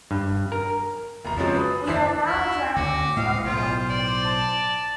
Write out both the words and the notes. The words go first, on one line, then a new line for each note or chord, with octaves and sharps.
We are now drowning in a flood of blood...
G2
A#4
F1 A#5
C#3 F3 F#3 G#3 C4 C#4
B4 D#6
F#1 E3 C5 E5 B6 C7
E4
D2 F#4 D6
A2 G#3 D#5 F5
B1 A2 F4 C5
D5
A5